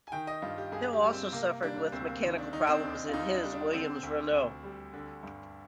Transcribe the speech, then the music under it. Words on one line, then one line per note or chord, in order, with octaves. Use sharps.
Hill also suffered with mechanical problems in his Williams-Renault.
G#5
D#3 G5
D#5
G2 F4
G4
G2 G#4
G4
G3
C4
C3 A#3
G3 D4
D4
D2 C4
A#3
D#3
D4
D#3 D#4
C4
D4
D#2
D#4
F4
D#2 D#4
D4
G3
D4
D3 C4
D2
D2
G3
D3
G2